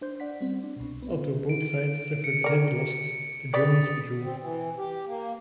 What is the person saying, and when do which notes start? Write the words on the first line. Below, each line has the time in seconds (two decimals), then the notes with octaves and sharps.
Although both sides suffered heavy losses, the Germans withdrew.
0.01 D4 C5 G6
0.20 D5 F#5 B6
0.41 G3 C4
0.63 D4
0.76 C2 B2
1.02 B3 C4
1.49 D7
2.24 C#7
2.44 A#4 D5
3.54 B4 D5 D#6 A6 B6
4.22 C4
4.40 E3
4.78 G4
5.07 A#3